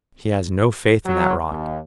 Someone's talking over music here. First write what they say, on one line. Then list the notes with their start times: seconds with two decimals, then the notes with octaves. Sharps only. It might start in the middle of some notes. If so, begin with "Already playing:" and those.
He has no faith in that rot.
1.05 F#3
1.48 D#2